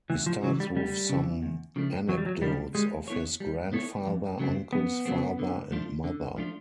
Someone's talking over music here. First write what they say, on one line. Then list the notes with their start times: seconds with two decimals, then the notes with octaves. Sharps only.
He starts with some anecdotes of his grandfather, uncles, father and mother.
0.10 D2 E3
0.26 F3
0.43 C#3 F#3
0.48 E3
0.60 G3
0.76 D2 G3
1.09 C#3 E3
1.43 E2
1.76 C#3 F3 A3 D4
2.08 E2 F#3
2.18 G3
2.26 F#3
2.41 C#3 F3 G3 A3 D4
2.75 G3 G#3
3.08 B3 E4 A4 C#5
3.40 G3
3.73 B3 E4 A4 C#5
4.07 F2
4.39 C#3 F#3 A3 C4
4.73 F2 B3
5.06 C#3 F#3 A3 C4
5.39 D3
5.72 F3 A3 D4 F4
6.04 D3
6.37 F3 A3 D4 F4